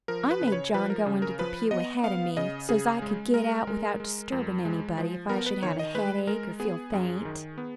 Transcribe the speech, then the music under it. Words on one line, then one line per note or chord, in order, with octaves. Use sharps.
I made John go into the pew ahead of me so's I could get out without disturbin' anybody if I should have a headache or feel faint.
F3 A#4
B4
C#3
B4
C#5
F3 B4
A#4
C#3
A#4
F3 B4
B3 D#5
B3 F5
C#3 D#5
C#3 G#4
G#3
G#3 A#4
G#3
G#3
F2
G#3
F3
B3 A#4
B4
D#3 C#5
D#5
G#3 B4
G#3 A#4
B3 G#4
F#2
D#3
B3